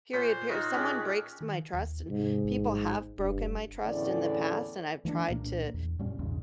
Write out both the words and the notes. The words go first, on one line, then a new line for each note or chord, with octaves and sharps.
Period, per if someone breaks my trust, and people have broken my trust in the past, and I've tried to
A#2 C5 C#5
D#4 F4 F#4 C5
C#4 G4 G#4
D#3
D#2
G#2 C3
A1
F1 G2
E2 A2 D3 A3 C#4 D5
E3 A3 C4 D4
C2 A#2 A#3 D4
E2
F#2 A#2 G3 C#4
A#1 E2 G#2 C#3